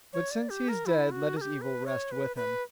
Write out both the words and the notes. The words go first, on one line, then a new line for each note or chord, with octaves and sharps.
But since he is dead let his evil rest with him.
C#5
D5
G4
A#4
E4
F#4
A#4
G4
B4
C#5
B4
B4